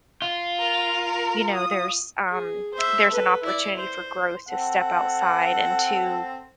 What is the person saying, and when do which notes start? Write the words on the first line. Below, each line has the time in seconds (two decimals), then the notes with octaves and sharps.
you know, there's um, there's an opportunity for growth to step outside and to
0.22 F4
0.60 A#4
1.54 D#6
2.29 G#4
2.74 C5 E5
3.08 A4 B4
3.42 E4 D5
3.77 C5
4.47 C4 A4 F#5